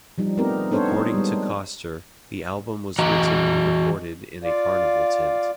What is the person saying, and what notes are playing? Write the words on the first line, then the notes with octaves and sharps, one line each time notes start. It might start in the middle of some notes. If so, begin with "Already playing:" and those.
According to Koster, the album was written and recorded in a carnival tent.
F3 G3 D#4
A3 B3 C4 D#4 G4 A#4
B3 D4 D#4 A4 C5 C#5
D#4 A4
G3 G#3
E3 F#4 D#5 A#5
F4 D5 F5